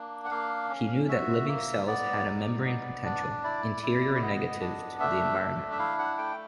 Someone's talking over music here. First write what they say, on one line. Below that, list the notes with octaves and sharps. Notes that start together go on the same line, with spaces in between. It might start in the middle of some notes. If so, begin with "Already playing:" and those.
He knew that living cells had a membrane potential; interior negative to the environment.
Already playing: A#3 D4
F#5
A#3 F5
C#4
F#4 E5
A#3
B3 D5
D#4
B3
D4
E4 D5
E4
D5
B3 D#5
D4
A3 E5
D4
E5
E4 F5
F#5
A3 G5